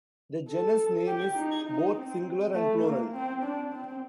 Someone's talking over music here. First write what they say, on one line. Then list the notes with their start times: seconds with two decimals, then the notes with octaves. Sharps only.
The genus name is both singular and plural.
0.48 A4
1.07 G4
1.36 D#4
1.66 D#4
1.95 C4
2.54 A3
2.83 A#3
3.13 C4
3.43 D4
3.72 C4